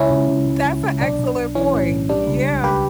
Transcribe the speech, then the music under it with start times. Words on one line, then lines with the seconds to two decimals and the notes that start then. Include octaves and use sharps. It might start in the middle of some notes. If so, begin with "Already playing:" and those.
That's an excellent point. Yeah.
Already playing: C#2 C#4 E4
0.11 C#2
0.29 C#2
0.47 C#2
0.65 C#2
0.83 C#2
1.01 B1 D4
1.19 B1
1.37 B1
1.55 E3 C#4
1.74 A2
1.92 B1
2.09 G3 D4
2.27 C#2
2.45 C#2
2.63 C#2 G4 B4